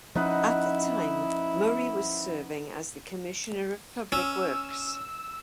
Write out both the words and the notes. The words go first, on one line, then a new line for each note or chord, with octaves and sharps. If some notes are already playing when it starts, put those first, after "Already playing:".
At the time Murray was serving as the Commissioner of Public Works.
F3 C4 C#4 D#4 E4 B4 F#5
C#4 E6